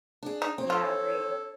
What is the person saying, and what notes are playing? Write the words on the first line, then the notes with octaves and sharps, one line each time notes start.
Yeah, agree.
D4 G#4
D#4
C4 C#5
F4 A4